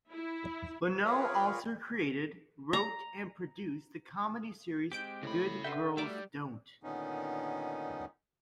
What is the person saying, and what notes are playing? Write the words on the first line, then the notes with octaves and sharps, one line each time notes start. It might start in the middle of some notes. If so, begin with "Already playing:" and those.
Lonow also created, wrote and produced the comedy series "Good Girls Don't".
E4
F4 G#4 A#4 B4 C#5
A#5
G#3 C4 G4 D6 G6 D7
A2 C#3 B5
D3 B4 E5 F#5 G5 C6
G3 A3 F#4 D5 E5 D6 E6
A#2 D3 D#3 B3 C#4 D#4